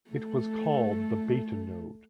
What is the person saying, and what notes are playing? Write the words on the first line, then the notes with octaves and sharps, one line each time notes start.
It was called the Beta node.
A3 A4